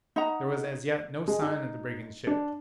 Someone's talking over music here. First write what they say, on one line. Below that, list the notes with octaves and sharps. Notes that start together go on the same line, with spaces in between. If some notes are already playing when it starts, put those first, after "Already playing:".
There was as yet no sign of the brigand ship.
D#4 D#5 F#5 A#5
G#3
D#4
D4